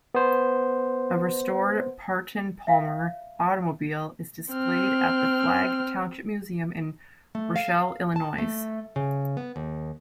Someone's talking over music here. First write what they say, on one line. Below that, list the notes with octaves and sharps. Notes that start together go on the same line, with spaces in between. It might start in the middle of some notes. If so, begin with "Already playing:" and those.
A restored Partin-Palmer automobile is displayed at the Flagg Township Museum in Rochelle, Illinois.
B3 C5
E5 F5
C4 F6
A3
F5
A5
A3
C#3
B3
D#2